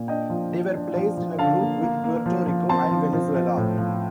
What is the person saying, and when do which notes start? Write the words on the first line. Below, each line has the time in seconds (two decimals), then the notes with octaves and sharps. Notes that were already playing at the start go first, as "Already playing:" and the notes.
They were placed in a group with Puerto Rico and Venezuela.
Already playing: A#2
0.08 D4 D#5 G5
0.30 F3
0.52 D4
0.74 D4
0.95 F3
1.17 F3
1.39 D3 F5 A5
1.61 A#3
1.83 A#3
2.04 A#3
2.26 F3
2.47 F3
2.69 C4 A5 C6
2.91 F3
3.13 F3
3.35 F3
3.57 A2
3.78 F3